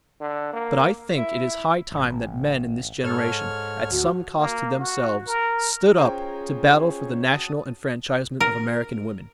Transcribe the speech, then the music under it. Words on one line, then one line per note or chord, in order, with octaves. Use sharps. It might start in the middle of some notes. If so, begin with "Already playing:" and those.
But I think it is high time that men in this generation, at some cost to themselves, stood up to battle for the national enfranchisement of American women.
D3
A#3
E4
A1
G#2 A4 C#5 F6
D2 F#4
A#3
F#4
A#4
C#4 F4 G#4 C5 C#5 G5 A#5
F#4 A5 D#6
A#4